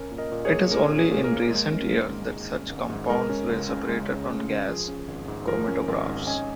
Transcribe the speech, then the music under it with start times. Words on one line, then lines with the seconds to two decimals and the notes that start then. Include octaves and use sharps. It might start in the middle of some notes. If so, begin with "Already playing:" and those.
It is only in recent years that such compounds were separated on gas chromatographs.
Already playing: C#4 A#4
0.12 A#2
0.18 A#4 D#5
0.32 A#2
0.45 G#4 C#5
0.52 A#3
0.71 C#4 A#4
0.91 A#2
0.98 G#4
1.11 A#2
1.24 A#4
1.31 A#3
1.50 G#3
1.70 C#4
1.91 G#1
2.10 G#2
2.30 G#3
2.50 C#4
2.70 G#1
2.90 G#2
3.10 G#3 A#4
3.29 C#4
3.49 C#2
3.69 C#3
3.89 G#3
4.09 C#4
4.29 C#2
4.49 C#3
4.68 F3 G#4
4.88 C#4
5.08 G#1
5.28 G#2
5.47 F3 A#4
5.67 C#4
5.88 G#1
6.08 G#2
6.27 C#4 D#5 G#5